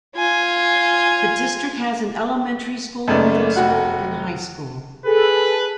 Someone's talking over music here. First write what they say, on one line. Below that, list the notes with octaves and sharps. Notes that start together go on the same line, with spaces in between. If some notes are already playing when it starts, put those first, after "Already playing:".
The district has an elementary school, middle school and high school.
F4 G#5
F#2 C#3 A3 B3 D#4 D5
F1 F#4 F#5
G#4 A4 B4